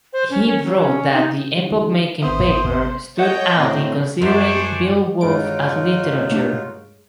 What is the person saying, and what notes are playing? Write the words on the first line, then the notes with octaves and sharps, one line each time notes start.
He wrote that the "epoch-making paper" stood out in considering "Beowulf" as literature.
C5
C#4
C#4
F#3
C#4
D#4
D3 E3 G3
G#1 B3 C5 E5 D#6
C#5 D#5 F#5 G5 G6
A2 F#3 A3 C4
F#2 D4 C5 C#5
G2 G#3 D#4 F4 F#4 C#5 D7
A3 D4 G4